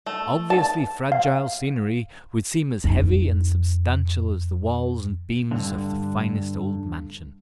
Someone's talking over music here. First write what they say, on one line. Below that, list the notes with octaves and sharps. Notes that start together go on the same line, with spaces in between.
Obviously fragile scenery would seem as heavy and substantial as the walls and beams of the finest old mansion.
A3
A5
F5
F2 D#4
G2 D3